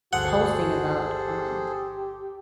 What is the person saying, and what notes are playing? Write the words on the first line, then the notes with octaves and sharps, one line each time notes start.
posting about, um,
G1 D2 F#4 G#4 A4 C5 F#5
G4